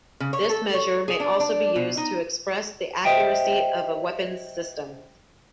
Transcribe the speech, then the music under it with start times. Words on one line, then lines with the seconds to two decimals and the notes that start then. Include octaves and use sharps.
This measure may also be used to express the accuracy of a weapon system.
0.20 C#3
0.33 C#5
0.49 A4
0.74 C#5
1.08 G#4
1.20 D4
1.40 D4
1.76 B2
1.97 D#4
3.05 G4 C5 D#5 E5 G5